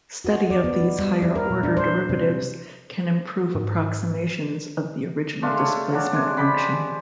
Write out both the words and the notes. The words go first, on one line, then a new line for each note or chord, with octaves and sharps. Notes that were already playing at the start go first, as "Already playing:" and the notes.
Study of these higher order derivatives can improve approximations of the original displacement function.
F#4
D5
B3
D#4
G3
E4
A#4
A#2
D4
C5
C3
G#2
G#3 A3 D4 F4
A3 C#5
F#3 C#4 D4 C#5
C3 G#3 G#5
F3 G#3 G4 B5